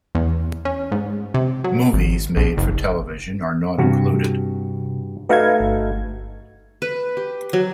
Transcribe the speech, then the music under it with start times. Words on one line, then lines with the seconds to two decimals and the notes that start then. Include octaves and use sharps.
Movies made for television are not included.
0.15 E2
0.65 C#4
0.92 G#2
1.34 C3
1.64 F#3
1.93 G#1
2.37 A#1
2.58 F#1
3.78 G2 C3 F#4
5.29 A3 D#4 F#4 B4 F5 G#6
5.60 G1
6.82 B4
7.17 G4
7.53 F#3